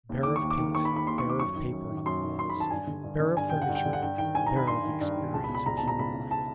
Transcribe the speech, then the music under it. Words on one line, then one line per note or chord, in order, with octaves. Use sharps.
Bare of paint, bare of paper on the walls, bare of furniture, bare of experience of human life.
D#2
D#3 D6
C#6
D#2
D6
D#3
D#2 C#6
B5
D#3
B5
D#2 C6
C#6
D#3
D6
F#2 C#6
D#3
F#2
D#3
F#2 C6
D#3
F#2 C6
B5
D#3
A5
G2 G#5
D3
G2
D3
G2 G#5
D3 G5
F#5
G2
G5
D3
F#5
G2 G5
D#3 G5
G2 G#5
D#3 A#5
B5
G2 C6
D#3
G2
D#3
C#2 A5
B5
B2
B5
C#2 A#5
A5
B2 A#5
C#2 B5
B2
A5